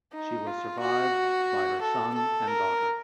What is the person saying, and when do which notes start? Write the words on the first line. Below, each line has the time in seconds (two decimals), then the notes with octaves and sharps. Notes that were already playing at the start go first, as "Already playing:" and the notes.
She was survived by her son and daughter.
0.13 D#4
0.47 F4
0.80 F#4
1.81 A4
2.14 A4
2.48 A#4